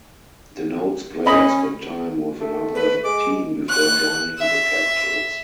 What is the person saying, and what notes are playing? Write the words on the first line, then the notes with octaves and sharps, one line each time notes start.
Denotes player spent time with another team before joining the Capitals.
C#4 D#5 B5
A3
B4
G#3 D6
F#6
E5